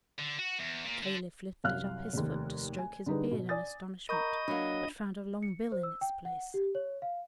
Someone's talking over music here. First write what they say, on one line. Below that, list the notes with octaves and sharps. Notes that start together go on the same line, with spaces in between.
The Caliph lifted up his foot to stroke his beard in astonishment, but found a long bill in its place.
D3
F#4
E2
A#2
D3
C2 F#2 F5 F6 F#6
F1 D#2
G#5
D3 G3 D#4 G#4 B4
B2
D5 G#5 D#6 A6
A#4 D#5 A#5 B5 C#6 G6
F#3 A#3 D4 B5
C#7
C5
E6
G5
F#5
G4
C#5
F5